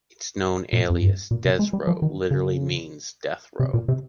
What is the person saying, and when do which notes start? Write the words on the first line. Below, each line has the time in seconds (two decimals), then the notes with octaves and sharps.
Its known alias, Des-row, literally means “death row”.
0.73 A#2
0.90 F2
1.01 G2
1.31 A#2
1.45 C3
1.59 G#3
1.73 G3
1.87 F3
2.02 D#3
2.31 C#3
3.60 C3
3.74 A#2
3.88 C3